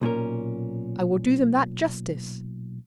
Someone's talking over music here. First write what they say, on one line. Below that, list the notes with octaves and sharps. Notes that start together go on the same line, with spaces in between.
I will do them that justice.
B1 A#2 C#4 A#4